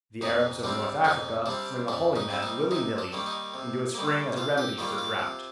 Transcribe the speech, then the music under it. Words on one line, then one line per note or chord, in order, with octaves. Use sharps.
The Arabs of North Africa fling a holy man, willy-nilly, into a spring as a remedy for drought.
F2 D#4
C3 G3 C4 D4
F2 D#4
C3 G3 C4 D4
F2 D4
D#4
C3 G3 C4
D#4
C3 D#4
D4
D#3 G3 A#3
D#4
C3
D#3 G3 A#3
C3 F4
G4
D#3 G3 A#3 F4
F4
C3